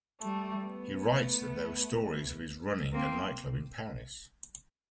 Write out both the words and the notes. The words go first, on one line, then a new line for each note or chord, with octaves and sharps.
He writes that there were stories of his running a nightclub in Paris.
G3 A3
A3 B3
A#3 C4